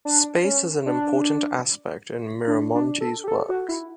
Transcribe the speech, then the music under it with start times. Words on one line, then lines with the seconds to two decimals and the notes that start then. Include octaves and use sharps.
Space is an important aspect in Miramontes’ works.
0.05 D4
0.44 C#4
0.86 D4
2.47 D4
2.75 D4
3.01 A4
3.24 G4
3.28 A4
3.49 F#4
3.69 E4